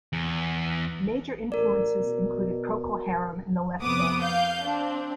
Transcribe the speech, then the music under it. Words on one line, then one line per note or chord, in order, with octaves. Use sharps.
Major influences included Procol Harum and The Left Banke.
E2
A1 A#4 D5
B2
F2 C3 B3 D6 D#6
F5 G6
C4 D4